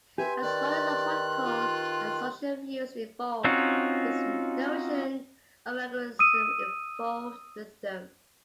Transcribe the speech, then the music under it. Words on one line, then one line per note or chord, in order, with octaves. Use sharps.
As Warren's political and social views evolved, his notion of Agrarianism evolved with them.
G4 B4 E5 G#5 C6
D#3 D5 F#6
F4
C4 C#4 D#4 F4 F#4
D#6 E6 D#7